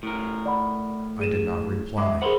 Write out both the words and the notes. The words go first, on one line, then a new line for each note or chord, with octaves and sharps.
I did not reply.
A2 A#4
D5 F#5 B5
G#4 D#7 E7
G#3 E5 D6
G#4 A#4 C5 F#5 B5 C6